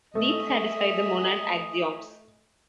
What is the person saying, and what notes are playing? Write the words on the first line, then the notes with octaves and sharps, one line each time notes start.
These satisfy the monad axioms.
A3 D#5 E5 G#5 D#6